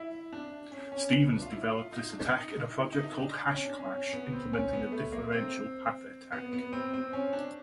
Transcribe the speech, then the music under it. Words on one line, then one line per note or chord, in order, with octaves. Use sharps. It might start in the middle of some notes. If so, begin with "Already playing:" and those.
Stevens developed this attack in a project called HashClash, implementing a differential path attack.
Already playing: E4
D4
C#4
C#4
B3
D4
F4
E4
F4
D#4
D4
D#4
E4
D#4
D4
C#4
D4
C#4
C#4
B3
C4
C#4
B3
A3
A#3
C4
B3
B3
C4
C4
C#4
D4